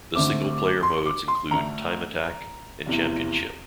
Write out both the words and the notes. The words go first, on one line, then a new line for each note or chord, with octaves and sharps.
The single player modes include "Time Attack" and "Championship.".
D2 D3 A3 C4 D6
C6
D6
C6
D2 D3 A3 D4 A#5
F1 E2 E3